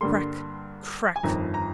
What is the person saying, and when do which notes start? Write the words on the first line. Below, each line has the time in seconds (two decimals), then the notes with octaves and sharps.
Crack! Crack!
0.01 G2 D3 G3 A#3 C6
1.16 G#5
1.23 G1 F2 D#3 A#5
1.54 A#5